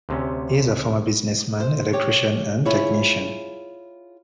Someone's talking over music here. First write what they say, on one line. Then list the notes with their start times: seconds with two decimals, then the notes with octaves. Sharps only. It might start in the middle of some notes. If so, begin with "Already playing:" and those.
He is a former businessman, electrician and technician.
0.09 D2 C3 C#4
1.60 C5
1.93 G4 C#5
2.65 E4 F4 G#4 C#5